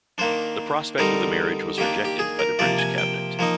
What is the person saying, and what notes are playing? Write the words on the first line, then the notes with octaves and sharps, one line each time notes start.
The prospect of the marriage was rejected by the British Cabinet.
D#3 A#3 D4 C5
D3 G3 C4 D#4 A#4
D#3 A#3 D4 G4
G4
G#4
A#4
C3 F3 A#3 D5
G#5
G5
F3 A#3 D#4